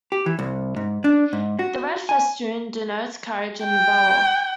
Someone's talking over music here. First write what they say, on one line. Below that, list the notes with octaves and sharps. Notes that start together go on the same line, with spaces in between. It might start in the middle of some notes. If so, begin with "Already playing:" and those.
The red festoon denotes courage and valor.
G4
E3
C2
G#2
D4
G#2
F#4
G#5
G5